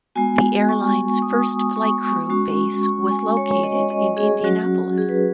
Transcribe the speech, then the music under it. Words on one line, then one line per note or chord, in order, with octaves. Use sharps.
The airline's first flight crew base was located in Indianapolis.
G#3 B3 F#4 G#5
C#6
D#6
C#6
G#3 C#4 F#4 C#6
C#6
G#5
C#5
D#5
D#5
G#4
F#3 C#4 F#4
G#4
B4